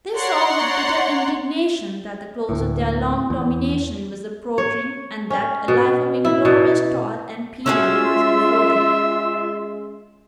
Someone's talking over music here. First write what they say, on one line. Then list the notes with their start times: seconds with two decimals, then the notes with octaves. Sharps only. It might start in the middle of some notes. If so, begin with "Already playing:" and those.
They saw with bitter indignation that the close of their long domination was approaching, and that a life of inglorious toil and penury was before them.
0.15 C#5 D5 F#5 A#5 C6 C#6
2.49 D2 A2
3.30 E2
4.58 C#5
5.30 C#4
5.68 B2
6.25 E4
6.45 B2
7.66 G#3 C#4 F4 F#4 G#4 E5 C6 E6